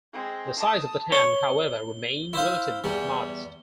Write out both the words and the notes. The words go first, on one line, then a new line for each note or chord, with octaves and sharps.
The size of the town, however, remained relatively modest.
G#3 C4
A5 D#6
C#5 G7
E4 C5 F5
E2 G3